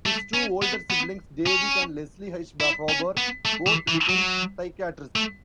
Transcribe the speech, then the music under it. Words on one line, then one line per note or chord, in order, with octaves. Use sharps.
His two older siblings, David and Leslie H. Farber, both became psychiatrists.
A3
C#4
B3
B3
C#4
E4
C#4
B3
A3
E3
E3
F#3
A3